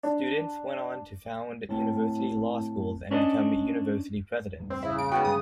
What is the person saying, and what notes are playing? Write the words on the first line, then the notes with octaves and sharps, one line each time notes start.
Students went on to found university law schools and become university presidents.
D4
A2 C4 A5
C#4 D4 A#4 D5 D#5
A1 E2 G2
C4
C#3 E4
A#2 D7
G#2 B3 F#4 G5
D2 G2 D#6